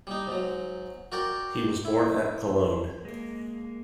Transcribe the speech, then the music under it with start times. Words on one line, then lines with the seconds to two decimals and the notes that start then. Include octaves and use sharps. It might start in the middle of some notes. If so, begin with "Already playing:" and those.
He was born at Cologne.
0.07 G3 D#4
0.27 G#2 F#3
1.12 F#4 A#4 D5 G5
1.85 E4
3.05 G#3 A#3